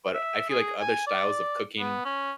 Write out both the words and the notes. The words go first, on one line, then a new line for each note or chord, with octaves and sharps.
But I feel like other styles of cooking
E5
G#4
G#5
D5
B3
C#4